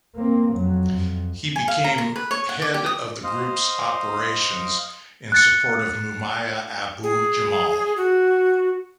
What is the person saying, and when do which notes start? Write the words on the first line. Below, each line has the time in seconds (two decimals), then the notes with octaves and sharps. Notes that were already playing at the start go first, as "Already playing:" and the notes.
He became head of the group's operationsin support of Mumia Abu-Jamal.
0.15 A#3 C4
0.54 F2 F#3
0.92 F2
1.56 G#5
1.68 F5
1.84 A#5
1.98 A#4
2.16 B4
2.31 C#5
2.49 F#5
2.62 D6
2.74 G4
2.86 D#6
3.23 C5 D#5 F5
5.32 F#6 A6 C#7
7.03 G#4
7.97 F#4